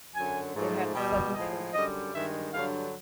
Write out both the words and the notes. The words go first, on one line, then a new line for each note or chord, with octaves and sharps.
They had seven children.
F#2 D3 F#3 G#5
G#2 F3 A3
B2 G3 G5
A2 F3 G#3 D#5
F#2 D3 G3 D#5
G2 D#3 G#3 E5
G2 D3 F#3 F5